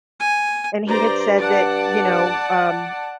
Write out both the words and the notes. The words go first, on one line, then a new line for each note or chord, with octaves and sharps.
and he had said that you know, um,
G#5
G2 C5 D5 A#5
D5 F#5 A5